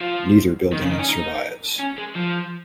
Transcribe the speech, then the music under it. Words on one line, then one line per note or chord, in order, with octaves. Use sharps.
Neither building survives.
F3
D#3
C#3
D#3
C#4
D#4
C#4
G#3
F3